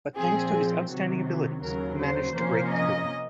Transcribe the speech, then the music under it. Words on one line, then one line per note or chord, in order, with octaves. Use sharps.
But thanks to his outstanding abilities he managed to break through.
A#2 F3 C4 G#4
C3 D#3 F#3
D#2 C#3 F#3 A#4
C5
C3 F3 A#3 C#4 C5
D#5